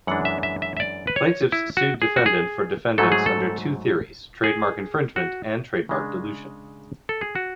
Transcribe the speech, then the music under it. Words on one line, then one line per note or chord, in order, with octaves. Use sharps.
Plaintiff's sued Defendant for Defendant's under two theories: trademark infringement and trademark dilution.
F#2 E3 G#3 D4 F#5
E5
E5
E5
E5
D5
B4
C#5
E4
F#4
G#4
F#4
G#4
G#2 F#3 A3 A4
G#4
A4
G#4
F#4
C#3 G#3 D4
A4
G#4
F#4